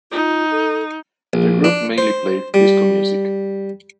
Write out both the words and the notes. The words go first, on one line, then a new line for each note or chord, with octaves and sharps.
The group mainly played disco music.
D#4 F4
A4
A#1
D4
C5
G3